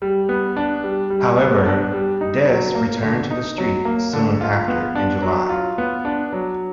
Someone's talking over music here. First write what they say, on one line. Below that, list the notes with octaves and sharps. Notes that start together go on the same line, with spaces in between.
However, Des returned to the Street soon after in July.
G3
B3
D4
G3
G3
B3
D4
G3
D#4
F#3
A#3
D3
D#4
F#3
A#3
D3
F4
B3
D4
F#3
F4
B3
D4
F#3